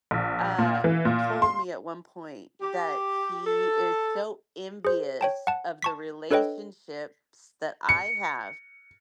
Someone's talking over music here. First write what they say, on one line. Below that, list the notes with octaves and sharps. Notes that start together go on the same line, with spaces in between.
uh, told me at one point that he is so envious of the relationships that I have
A#1
A#2
E3
A#2
C6
G4
A4
G#4 C5
C#5 G5 A5
F#5 A5
A5 C#6 B6
D4 A4 B4 C#5 D#5 G5
C#7